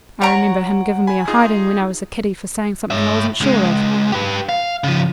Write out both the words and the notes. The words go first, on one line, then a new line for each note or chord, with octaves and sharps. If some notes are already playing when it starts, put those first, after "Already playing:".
I remember him giving me a hidin' when I was a kiddy for saying something I wasn't sure of.
C#5 F#5 A#5 C#6 D7
G#5 B5
D#4 F4 G#4
C#5 E5
C#2 G#3
G4 B4
F5
C#3 F3